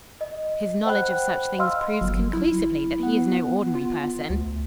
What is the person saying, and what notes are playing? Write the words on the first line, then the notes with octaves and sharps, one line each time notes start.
"His knowledge of such things proves conclusively that he is no ordinary person."
D#5
C5 F#5 G5 B5 F#6
D#5 F5 C6 E6 F6
G1 F#3
E4
B3 F#5
F4
D2